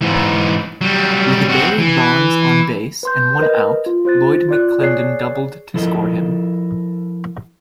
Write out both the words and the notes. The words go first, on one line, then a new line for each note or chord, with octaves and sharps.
With Barry Bonds on base and one out, Lloyd McClendon doubled to score him.
G#2 E3
F#3 G3
C4 F#4
E3
B4 C6 G6
A#4 B4 D#5
F4
F4 C5 F#6 A6
F4 D5 F#6
G#4 C#5 D5 F#6 C7
F3 E4 A4 A#4 D#5